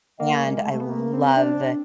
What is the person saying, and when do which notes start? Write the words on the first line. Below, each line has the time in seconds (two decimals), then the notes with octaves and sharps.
and I love
0.20 A#3
0.44 G#3
0.66 A3
0.81 B3
0.90 A#3
1.13 C4
1.37 D4